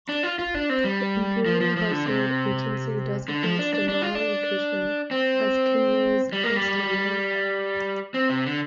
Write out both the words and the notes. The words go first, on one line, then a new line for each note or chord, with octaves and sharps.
The Imperial Household Agency designates the Nara location as Kinmei's mausoleum.
D4
F4
F4
D4
C4
G3
F3
F3
F3
D3
C3
D3
F3
D4
D4
D4
F4
D4
C4
G3
A#3
G3
C4
C3
D3